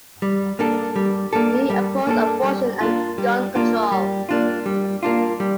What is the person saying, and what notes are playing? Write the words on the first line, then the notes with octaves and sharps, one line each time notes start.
He opposed abortion and gun control.
G3
A#3 D4 A4
G3
A#3 D4 A4
G3
A#3 D4 A4
G3
A#3 D4 F4
G3
A#3 D4 F4
G3
A#3 D4 F4
G3
A#3 D4 F4
G3